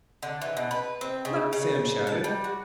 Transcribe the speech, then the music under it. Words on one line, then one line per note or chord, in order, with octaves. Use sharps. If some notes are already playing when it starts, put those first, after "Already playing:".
"Look!" Sam shouted.
D3
E3
B2
B4
C4
C#3
C#3
A5
G3
F#4